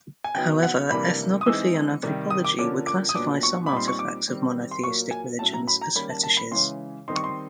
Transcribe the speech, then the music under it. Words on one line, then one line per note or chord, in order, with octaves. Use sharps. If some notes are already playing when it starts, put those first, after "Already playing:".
However, ethnography and anthropology would classify some artifacts of monotheistic religions as fetishes.
G#5
C#3 F#3 B3 D#4 G5
F#5
C3 E3 G3 A#3 D4 B5
D#6
E3 G#3 C4 D#4 E6
C3 D#3 G3
D#6
D6
D3 F3 A#3 C#4 D6
D6
D#6
A#2 F#3 B3 D4 D6
C#6
B5
A#2 G3 C4 D#4 C6
C#6
D6
D#3 G3 C4
C6
A#2 F#3 A#3 C#6
G#5
A2 F#3 A3 C#4 A5
A#5
B5
A#5
D#3 G3 A#3 C#4 B5
A5
A5
B5
C#3 E3 G#3 C#4 C6
D#3 G3 C4 D#4 C6
C#6
C6